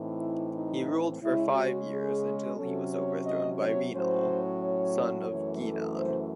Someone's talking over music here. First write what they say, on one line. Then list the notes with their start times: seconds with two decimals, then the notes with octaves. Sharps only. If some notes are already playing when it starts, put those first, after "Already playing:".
He ruled for five years, until he was overthrown by Rinnal, son of Genann.
Already playing: A2 E3 C4 D#4
0.18 E4
0.53 D#4
1.20 C#3 G#3 C#4 E4
1.54 F#4
1.89 G#4
2.56 C3 F#3 C#4 A4
2.90 C#5
3.25 D#5
3.59 C#5
3.91 A2 F#3 C#4 C5
4.60 C#5
5.27 F#2 E3 A3 C#5
5.62 A4
5.96 C5